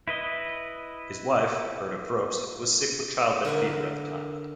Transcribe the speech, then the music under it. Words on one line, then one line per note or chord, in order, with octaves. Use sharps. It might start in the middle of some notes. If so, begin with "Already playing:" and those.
His wife, Herta Probst, was sick with childbed fever at the time.
E4 B4 D#5
D3 A#4 B4 E5